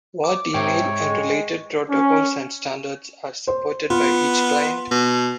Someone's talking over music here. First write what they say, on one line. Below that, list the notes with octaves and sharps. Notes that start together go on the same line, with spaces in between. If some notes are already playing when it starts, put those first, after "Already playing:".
What email and related protocols and standards are supported by each client.
D6
G#2 C3 C#5 G5
G#3
C#4
C5
B3 F4
B2